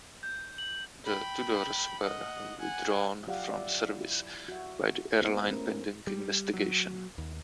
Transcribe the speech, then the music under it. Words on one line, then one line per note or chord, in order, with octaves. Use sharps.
The Tudors were withdrawn from service by the airline pending investigation.
G6
F#7
G5 B5
D#5 F#5
F#5 G#5
F#3 F4 G4 D5 F5 F#5
D5 E5
E4
F#4 E5
A#3 B3 E4 F4 G#4 C5
A3 A#3 C#4 A#4
G3
F#3
D#2